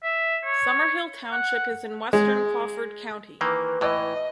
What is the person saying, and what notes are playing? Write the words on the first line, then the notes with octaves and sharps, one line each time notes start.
Summerhill Township is in western Crawford County.
E5
C#5
F#5
G#3
D#3 E3 A#3 B4
A2 E3 D#5